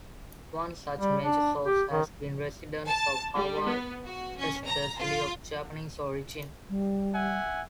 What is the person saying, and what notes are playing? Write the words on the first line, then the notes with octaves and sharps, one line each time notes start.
One such major source has been residents of Hawaii, especially of Japanese origin.
G3
D4
G4
D#3
A5
G3
B3
F#4
C#4
A#5
F4
G3
E5 F#5 G#5